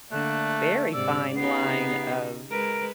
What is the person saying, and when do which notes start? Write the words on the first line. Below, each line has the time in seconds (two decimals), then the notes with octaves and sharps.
very fine line of
0.12 D3 A3 A#3 D5 F#6
0.93 G#2 C3 D5 E6
1.36 C#3 B3 D#4 G4 C7
2.51 G#3 A#4 B4 D7